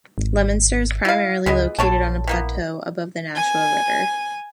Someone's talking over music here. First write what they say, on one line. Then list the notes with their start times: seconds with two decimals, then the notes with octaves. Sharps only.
Leominster is primarily located on a plateau above the Nashua River.
0.18 G#1
1.05 E4 F5
1.46 C#2 E3 G#3 B3
1.79 A#1 D3 C#5 A5
2.28 E3 A#3 B3
3.35 G#5